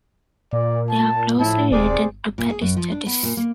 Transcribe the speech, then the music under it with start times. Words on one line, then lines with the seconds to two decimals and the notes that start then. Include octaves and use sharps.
They are closely related to "Pachystachys".
0.53 A#2 D5
0.89 A5
1.39 A2 F3 E4 A5
1.72 D#1 C3 G#4 C5 D5
2.38 A#2
2.50 G#4
2.61 F#2
2.77 F3
2.91 D4
3.06 B3
3.23 A#2
3.37 A#3